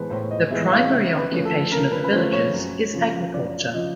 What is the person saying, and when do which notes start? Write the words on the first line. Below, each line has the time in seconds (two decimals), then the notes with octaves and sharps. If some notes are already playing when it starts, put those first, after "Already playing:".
The primary occupation of the villagers is Agriculture.
Already playing: A2 E3 G#3 B3 B4 C5
0.10 A2 C5
0.31 D#5
0.51 E3 G#3 B3 E5
0.72 F5
0.91 C#3 E5
1.18 B4
1.32 F3 A3 C#4
1.45 A4
1.72 C#3 A#4
1.92 B4
2.04 B4
2.13 F3 A3 C#4 C5
2.33 C#5
2.53 F#2
2.93 C#3 F3
3.34 F#2 D5
3.74 C#3 F3 D#5